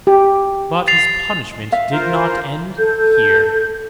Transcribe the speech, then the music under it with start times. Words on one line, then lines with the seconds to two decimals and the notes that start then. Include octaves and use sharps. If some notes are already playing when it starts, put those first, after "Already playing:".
But his punishment did not end here.
0.07 G4
0.88 A6 C7 F7
1.72 E5 F5
1.92 F4 A#4 C5
2.78 A4 G6